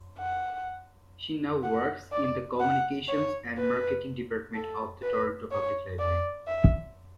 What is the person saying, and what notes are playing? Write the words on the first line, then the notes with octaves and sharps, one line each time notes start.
She now works in the communications and marketing department of the Toronto Public Library.
F#5
F#5
D5
F#5
C#5
B4
A4
B4
C#5
D5
E5